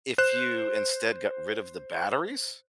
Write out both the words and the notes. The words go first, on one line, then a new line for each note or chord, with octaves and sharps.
if you instead got rid of the batteries,
C5 F#6 E7